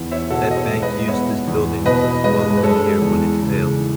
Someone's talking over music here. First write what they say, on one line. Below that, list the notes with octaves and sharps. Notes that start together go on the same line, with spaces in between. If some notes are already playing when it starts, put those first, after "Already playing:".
That bank used this building until the following year when it failed.
Already playing: E2 B3
C#5 E5
B2 F#4 A4
D#5
A4 C#5
G#3
B4 D#5
B3 C#5 E5
E2
B2 B4 D#5
G#3 B4 D#5
B4
G#3 A4 C#5
E2
C#3
E3